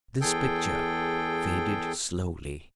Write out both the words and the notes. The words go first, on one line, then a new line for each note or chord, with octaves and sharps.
This picture faded slowly.
E2 G#4 A4 G5